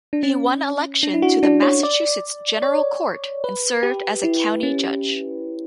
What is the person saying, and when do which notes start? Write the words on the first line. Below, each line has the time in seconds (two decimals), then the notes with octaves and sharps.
He won election to the Massachusetts General Court and served as a county judge.
0.13 D4
0.23 C#4
1.03 D4
1.14 E4
1.22 F#4
1.43 D4
1.62 C#5
1.83 D5
2.62 C#5
3.44 B4
3.83 G4
4.24 E4
4.63 C#4